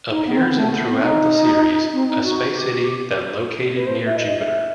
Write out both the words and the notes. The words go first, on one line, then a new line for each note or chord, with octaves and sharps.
Appears in throughout the series a space city that located near Jupiter.
D#4
B3
C4
B3
A3
B3
C4
D#4
C4
D#4
F#4
G4
B4
C5
E5
D#5
D#5
E5